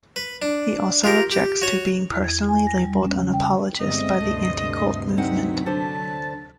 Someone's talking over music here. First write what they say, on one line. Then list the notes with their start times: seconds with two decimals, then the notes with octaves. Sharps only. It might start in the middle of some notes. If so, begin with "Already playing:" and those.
He also objects to being personally labeled an "apologist" by the "anti-cult movement".
0.16 B4
0.42 D4
1.04 F4 G4 A#4
1.31 G4
1.62 F#4 C#5
2.11 E2
2.24 G#6
2.49 G#5
2.67 A#6
2.83 G3
3.03 C#4
3.19 C#3
3.33 G5
3.80 G1 G3 G#3 C4 D#5 E5
4.20 D2 G2 C3 A3 C6
5.17 F#3 C4 D#4 F#5 B6
5.66 D3 D4 C5 A5